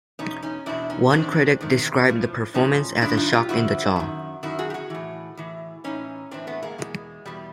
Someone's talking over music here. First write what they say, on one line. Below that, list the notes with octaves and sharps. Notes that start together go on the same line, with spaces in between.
One critic described the performance as a sock in the jaw.
E2 B2 C#4 D#4
C#4 D#4
E2 B2 D4 E4
C#4 D#4
E2 C3 D#3 C4 D4
E2 C3 D#3
A2 F3
A2 F3 C#4 D#4
G2 D3 F3 D4 E4
D#4 F4
F4 G4
G2 D3 F3 E4 F#4
F#2 D#3
F#2 D#3 E4 F#4
F#4 G#4
G4
F#4 G#4
A2 E3
A2 E3
A2 E3 C#4 D#4
A2 E3 C4 D4
A3 B3
G#3 A#3
E2 B2 G#3
E2 B2 G3